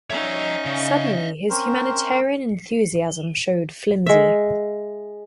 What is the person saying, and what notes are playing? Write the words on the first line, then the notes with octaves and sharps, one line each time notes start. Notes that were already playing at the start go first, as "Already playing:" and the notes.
Suddenly his humanitarian enthusiasm showed flimsy.
C#4 D#4 C#5 D#5 E5 A#5
C#3
C4 C#4 A#4 C5
G#3 E5